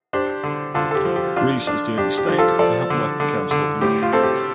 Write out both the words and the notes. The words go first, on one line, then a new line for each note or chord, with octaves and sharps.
Greece is the only state to have left the Council of Europe.
D4 G4 C5
D3
D3 F4 A4
A4
G4
F3
G4
D4 F4
D4
D4 G4
G4
F3
F4 A4
F3 A4 D5
D3
D3
D3
A2 G4
F4
C4 A4
G4